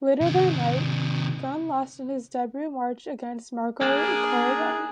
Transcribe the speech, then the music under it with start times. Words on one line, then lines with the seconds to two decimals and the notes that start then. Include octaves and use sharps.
Later that night, Gunn lost in his debut match against Marco Corleone.
0.21 C3 D#3
3.81 A#3 D4 G#4